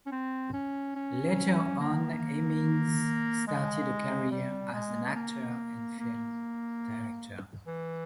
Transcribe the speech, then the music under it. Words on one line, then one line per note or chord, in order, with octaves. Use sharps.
Later on, Hemmings started a career as an actor and film director.
C#4
C4
C#4
C#4
A#3
G#3
G3
G#3
A#3
A#3
E3